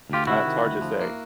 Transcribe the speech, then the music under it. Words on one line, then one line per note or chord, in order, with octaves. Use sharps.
ah, it's hard to say
D2 F4 G4
C3 E4 F#4
D#3
D2
F3
A#3